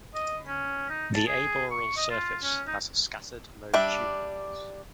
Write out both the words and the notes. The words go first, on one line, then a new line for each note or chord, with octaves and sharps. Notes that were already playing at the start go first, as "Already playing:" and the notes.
The aboral surface has scattered low tubercles.
D#5
C#4
D#4
A5
G#4
C#6
D#5
F4
C#4
D#4
G3 D4 E5